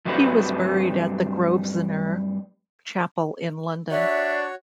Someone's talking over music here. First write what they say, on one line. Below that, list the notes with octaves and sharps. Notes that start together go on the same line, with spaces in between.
He was buried at the Grosvenor Chapel in London.
G2 F#3 G3 A3 C4 B4
D4 F#4 C#5 D5 E5